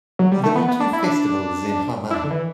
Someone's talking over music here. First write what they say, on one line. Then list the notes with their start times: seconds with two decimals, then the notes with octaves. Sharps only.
There are two festivals in Haman.
0.19 F#3
0.32 G3
0.44 A3
0.56 B3
0.68 B3
0.80 D4
0.93 E4
1.04 D4
2.11 E4
2.14 D4
2.24 D3
2.31 E3